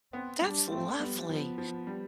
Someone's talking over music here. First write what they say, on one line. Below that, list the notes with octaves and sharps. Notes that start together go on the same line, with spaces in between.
That's lovely.
B3 C4
G3 D4
A3 C4
G3 B3
G3
F3 B3
F3
G3